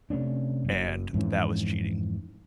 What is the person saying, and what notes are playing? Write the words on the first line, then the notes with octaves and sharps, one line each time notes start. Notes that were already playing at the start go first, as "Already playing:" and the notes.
and that was cheating.
C3 A3 C#4 D4
F#1 F#2
F2 G#2 E3 C#4